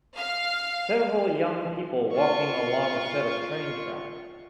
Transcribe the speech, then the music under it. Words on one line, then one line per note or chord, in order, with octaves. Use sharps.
Several young people walking along a set of train tracks.
F5
F4 C#6